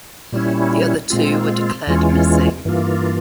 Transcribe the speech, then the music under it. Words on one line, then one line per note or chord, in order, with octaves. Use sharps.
The other two were declared missing.
A#2 G3 C#4 E4
A#2 G#3 C4 F4
E2 E3 G#3 C#4 F4
G2 E3 A#3 F4